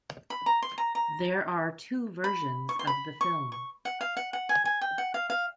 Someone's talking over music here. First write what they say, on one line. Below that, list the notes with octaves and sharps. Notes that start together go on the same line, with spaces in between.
There are two versions of the film.
B5
A#5
C6
A#5
A#5
B5
C#6
C6
B5
C#6
C#6
F#5
F5
F#5
F#5
G#5
G#5
G5
F#5
F5
F5